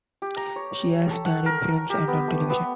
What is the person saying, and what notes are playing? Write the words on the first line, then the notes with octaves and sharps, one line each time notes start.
She has starred in films and on television.
G4
A#5
C#5
A4
F#5
A#4
G4
B3
A3
B3